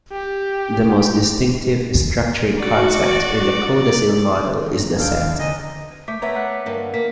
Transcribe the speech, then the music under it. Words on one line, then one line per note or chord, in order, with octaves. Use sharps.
The most distinctive structuring concept in the Codasyl model is the set.
G4
F#4 D5
A#5
D#2 D4 A4 F5 G5
D3 C4 D#4 G#4 D#5
A3 D6 B6
A3 B3 C#5 E5 A#5
F#5 F#6
G2 D3 A#3
A#3 B6